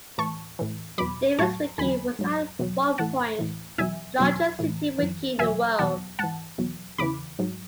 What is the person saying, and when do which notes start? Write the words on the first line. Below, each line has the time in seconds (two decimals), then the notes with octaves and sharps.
DavisWiki was at one point the largest City Wiki in the world.
0.18 A2 E3 A5 C#6
0.59 A2 E3
0.98 E2 B2 F#3 B5 D6
1.39 A2 F#3 A5 C#6
1.78 E2 D3 F#3 G#5 B5
2.19 G#2 F#3
2.59 E2 B2 F#3
2.98 A2 E3 F#5 A5
3.39 A2 E3
3.78 E2 B2 F#3 E5 G#5
4.19 E2 B2 F#3
4.59 A2 E3
4.99 F#2 E3
5.39 E2 B2 F#3 E5 G#5
5.79 E2 B2 F#3 F#5 A5
6.19 G#2 E3 F#5 A5
6.58 E2 B2 F#3
6.98 E2 C#3 E3 B5 D6
7.39 G#2 F#3